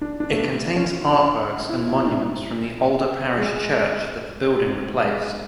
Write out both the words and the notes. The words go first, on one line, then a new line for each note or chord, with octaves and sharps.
It contains artworks and monuments from the older parish church that the building replaced.
D4
D4
A3
B3
C#4
C#4
E4
E4
E4
D4
G#3
G#3